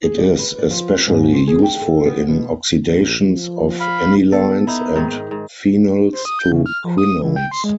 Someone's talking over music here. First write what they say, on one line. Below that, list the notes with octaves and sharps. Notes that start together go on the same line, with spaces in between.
It is especially useful in oxidations of anilines and phenols to quinones.
G#4
D5
B4
D5
F3
G#2
C4
G#4
G5
A4
B3
B2
A#1
F3
F5 B5
B3 A4
D#4 E4
G#2 D#3
G#2
C5
D#6
G6
C#3
F6
F3
D#6
E3
G5
C6
G#3